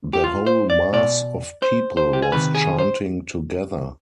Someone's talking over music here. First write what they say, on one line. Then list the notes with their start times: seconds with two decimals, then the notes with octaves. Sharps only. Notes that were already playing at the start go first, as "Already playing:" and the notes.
The whole mass of people was chanting together.
0.13 G4
0.24 F4
0.47 C5
0.70 D5
0.93 B2 D5
1.62 C5
1.97 C5
2.13 G4
2.22 G#4
2.32 C3 D#3 B4
2.55 G#4
2.78 C5